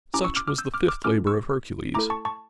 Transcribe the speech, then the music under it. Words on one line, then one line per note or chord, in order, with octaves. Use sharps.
Such was the fifth labor of Hercules.
C#4 E4 G4 A#5 D6
C#6 E6
D6 F6
D6 F6
E6 G6
D6 F6
D6 F6
A3 C#4 F4 A4 D6 F6
C#6 E6
A3 E4 A4 A#5 D6
A5 C#6
A5 C#6